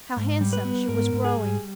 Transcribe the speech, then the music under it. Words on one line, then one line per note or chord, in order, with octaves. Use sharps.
How handsome she was growing!
G#2
G3
B4
B3
G#2 A#4
G#2
G#4
G3